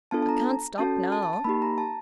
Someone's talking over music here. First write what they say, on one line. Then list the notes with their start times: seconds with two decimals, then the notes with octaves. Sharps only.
"I can't stop now."
0.11 B3 D4 F4 A4 A5
0.22 A5
0.29 A#5
0.78 C#4 F#4 A4 A5
1.12 A5
1.23 A5
1.33 A5
1.44 A#3 D#4 G4 B5
1.62 A#5
1.78 A5